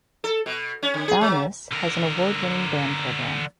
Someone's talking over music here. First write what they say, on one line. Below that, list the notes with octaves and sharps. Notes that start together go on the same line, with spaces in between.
Bowness has an award-winning band program.
A4
B2
C#4
D3
G#4
F#3
D3 A#4